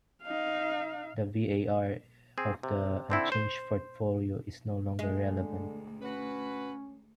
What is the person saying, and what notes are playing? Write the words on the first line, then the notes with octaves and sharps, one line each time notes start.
The VaR of the unchanged portfolio is no longer relevant.
D#4 F5
C4 G#4
C3
D3 C4 E4
C5
D2 D3 G#3
C#4 F#4 B4